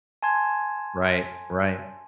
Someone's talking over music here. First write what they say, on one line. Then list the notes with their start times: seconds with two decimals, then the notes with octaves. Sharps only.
Right, right.
0.23 G#5 A5 C6 G#6